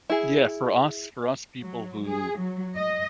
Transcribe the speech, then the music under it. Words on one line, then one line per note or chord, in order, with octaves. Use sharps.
Yeah, for us for us people who
E4 G#4
F#3
G#4
F#3
D#5